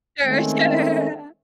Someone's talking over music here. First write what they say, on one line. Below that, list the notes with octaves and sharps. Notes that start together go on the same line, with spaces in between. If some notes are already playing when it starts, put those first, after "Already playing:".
Sure, sure.
D#3 G#3 A3 C4 C#4